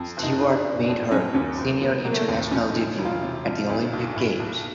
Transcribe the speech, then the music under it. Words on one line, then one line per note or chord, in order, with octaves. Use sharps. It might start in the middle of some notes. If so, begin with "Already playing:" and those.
Stewart made her senior international debut at the Olympic Games.
Already playing: F2
F#1
D#4
C#3 D4
F#1
F2
F#3 C#4
D#2 C#4
F1 C4
C#3 B3
F#3 A#3
A3
A#3
D#2 C4
F3 C#4
D#4
D2
E1
F4
C3
F3
D2
B1
A2
B1